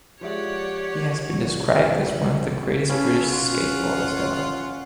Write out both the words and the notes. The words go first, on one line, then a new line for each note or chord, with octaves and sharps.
He has been described as one of the greatest British skateboarders ever.
F3 G#3 G4 C#5 D5 E5 F#5
C#4 A4 B4 F5
F4 F#5